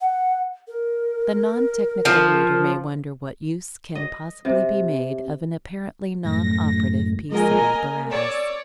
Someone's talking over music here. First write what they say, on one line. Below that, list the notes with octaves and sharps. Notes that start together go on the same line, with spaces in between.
The non-technical reader may wonder what use can possibly be made of an apparently non-operative piece of apparatus.
F#5
A#4
F3
D#5
C3
F#2 A2 A#6
F3 G#3 A#3 A#4 D#5 G#5
A#3
C#5 D5 E6